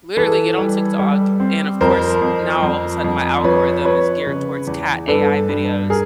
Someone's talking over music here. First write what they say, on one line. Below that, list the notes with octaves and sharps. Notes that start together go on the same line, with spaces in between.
literally get on TikTok. And, of course, now all of a sudden, my algorithm is geared towards cat AI videos,
E3 A4 B4
G3
G3
C4
F2 A#4 C5
F2
F2
F2
F3 B4 C#5
F3 B4 C#5
C#3
E2
G2 A4 B4
G2
G#4 A#4